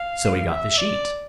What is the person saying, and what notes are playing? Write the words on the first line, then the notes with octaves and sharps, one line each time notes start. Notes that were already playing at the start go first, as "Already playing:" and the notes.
So he got the sheet.
Already playing: F5
E5
D5